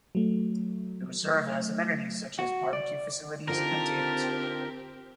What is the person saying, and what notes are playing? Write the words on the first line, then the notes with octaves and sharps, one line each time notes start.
The reserve has amenities such as barbecue facilities and tables.
F#3 A3
F#4
D5
D3 C4 D#4 F4 G4 A#4 A5